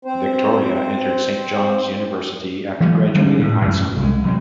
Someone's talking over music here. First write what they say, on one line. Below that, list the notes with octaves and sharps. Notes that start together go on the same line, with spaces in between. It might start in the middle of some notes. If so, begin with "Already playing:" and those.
Victoria entered Saint Johns University after graduating high school.
C4 C5
E3 F#3 G#3 A3
D3 G3 C#4
A2
A1 F#2
C2 G#3
E1 F#3 C4